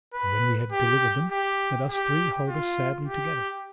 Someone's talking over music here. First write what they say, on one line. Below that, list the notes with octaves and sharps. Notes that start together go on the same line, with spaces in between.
And when we have delivered them, let us three hold us sadly together.
B4
G4
G4
G4
F4
G4